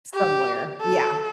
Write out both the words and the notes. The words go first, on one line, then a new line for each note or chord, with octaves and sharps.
somewhere yeah,
G4
A4